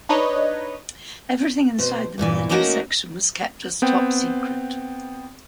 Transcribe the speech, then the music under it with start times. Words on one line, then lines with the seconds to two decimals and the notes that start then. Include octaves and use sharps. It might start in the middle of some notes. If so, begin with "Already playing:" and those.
Everything inside the military section was kept as top secret.
0.09 D4 D#4 B4 C#5 D#5
1.79 B2 C5
2.18 E2 G2 A#2 E3
2.49 A3 A#3 C#4 D#4 F#4 A#4
3.82 B3 C4 G5